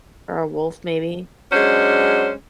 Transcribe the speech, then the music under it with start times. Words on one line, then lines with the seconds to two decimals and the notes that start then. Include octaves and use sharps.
or a wolf, maybe
1.52 F#3 G#3 C#4 D4 C5